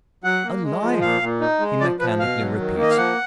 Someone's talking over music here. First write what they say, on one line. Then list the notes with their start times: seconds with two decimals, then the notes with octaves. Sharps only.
"Alive!" he mechanically repeats.
0.24 F#3 F#5
0.44 A#3
0.63 G#3
0.82 F3
1.01 A#2 F5
1.21 A#2
1.41 D#4
1.60 G#3
1.80 F3 D5
2.00 F3 B4
2.19 B2 F5
2.39 F#3
2.57 D#3
2.78 A#3 D#5
2.90 F5
2.97 F3 F#5